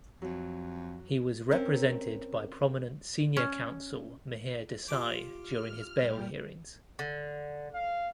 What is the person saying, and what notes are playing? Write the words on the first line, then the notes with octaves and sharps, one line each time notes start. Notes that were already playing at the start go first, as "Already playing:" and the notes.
He was represented by prominent senior counsel Mihir Desai during his bail hearings.
F2 F#3
C4 C#4 A#4
C#4
F4 G4 D6
F6
A#2 G3 G4
D3
F5